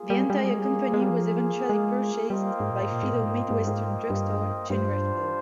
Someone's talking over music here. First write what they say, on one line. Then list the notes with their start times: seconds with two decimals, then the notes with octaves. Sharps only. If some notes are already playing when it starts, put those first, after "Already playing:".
The entire company was eventually purchased by fellow Midwestern drugstore chain Revco.
Already playing: A#3 F4 G#4
0.10 G3
0.30 G3
0.37 G#3
0.44 G3
0.52 G#3
0.59 G3
0.66 G#3
0.73 G3
0.80 G#3
0.87 G3
0.94 G#3
1.01 G3
1.10 F3
1.70 G#3
2.29 G3 A#3 F4 C5 D#5 G5
2.60 G#2
2.71 A#2
2.81 G#2
2.92 A#2
3.03 G#2
3.13 A#2
3.24 G#2
3.50 G#2
3.59 G2
3.67 G#2
4.10 G2
4.70 G2 G3 D4 F4 C5